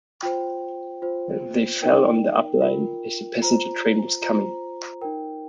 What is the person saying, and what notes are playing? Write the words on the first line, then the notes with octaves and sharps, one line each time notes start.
They fell on the up line as the passenger train was coming.
F4 C5 G5
F4 C5
D#4 A#4 G5
F4 A#4
F4 C5 A#5
F4 C5 A#5
D#4 A#4 G5